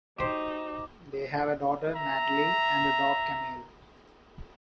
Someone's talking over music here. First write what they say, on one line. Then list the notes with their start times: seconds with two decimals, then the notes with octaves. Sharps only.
They have a daughter, Natalie, and a dog, Camille.
0.18 D#4 F#4 G4 C5 D6
1.93 E5 A#5